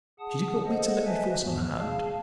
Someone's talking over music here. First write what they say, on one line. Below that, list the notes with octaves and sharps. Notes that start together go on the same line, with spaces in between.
She did not wait to let me force her hand.
G#4 F#5 A5 D#6
A#3 G#4 A4 C5 D#5 F#5
B4 C5 D#5 E5 G#5 A5
E2 G#2 B3
G#4 F5 A5